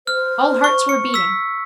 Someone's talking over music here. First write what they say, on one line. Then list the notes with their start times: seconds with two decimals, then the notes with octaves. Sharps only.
All hearts were beating.
0.07 C5 F6
0.64 C#6
0.89 C#7
1.14 E6 B6